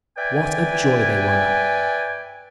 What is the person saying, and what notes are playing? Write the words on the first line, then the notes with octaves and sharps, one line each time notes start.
What a joy they were!
B4 D5 E5 G5 G#5